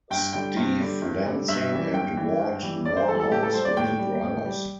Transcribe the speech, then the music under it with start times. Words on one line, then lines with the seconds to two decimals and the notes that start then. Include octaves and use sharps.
Steve Lansing and Ward Morehouse were the drivers.
0.11 G2 G5
0.33 D3 G3 G5
0.57 G2
0.80 D3 G3
1.02 G2
1.26 D3 G3
1.48 G2 E5
1.71 E3 G3
1.93 G2 G5
2.17 E3 G3
2.39 G2
2.62 E3 G3
2.85 G2 D5
2.97 C5
3.08 E3 G3 A4
3.20 A4
3.31 A2 G4
3.43 A4
3.54 G3 C5
3.65 D5
3.77 A2 G5
3.99 G3
4.23 A2
4.45 G3